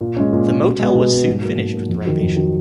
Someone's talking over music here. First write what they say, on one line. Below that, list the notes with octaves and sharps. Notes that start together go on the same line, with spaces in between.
The motel was soon finished with the renovation.
A#2
G#3 C#4
A#2
G#3 C#4
B2
G#3 B3
B2
G#3 B3
G#2
F#3 A#3
G#2
F#3 A#3
F2
D#3 F#3
F2
D#3 F#3